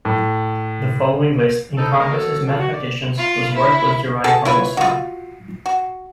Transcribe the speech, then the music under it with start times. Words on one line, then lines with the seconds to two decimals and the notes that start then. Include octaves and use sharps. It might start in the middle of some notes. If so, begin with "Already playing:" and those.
The following list encompasses mathematicians whose work was derived from wasan.
0.05 A2
1.77 C4 D#4 E4 A4
1.99 G#3 A#3 G#4 A#4
2.12 F#3 A4
2.47 B2 F3 A#3 D4 A4
2.59 F#4
2.72 D5
3.18 F4
3.54 E4
4.24 F#4 G#4 A4 A5
4.45 E4 F4 B4 C#5
4.77 F4 F#4
5.66 F#4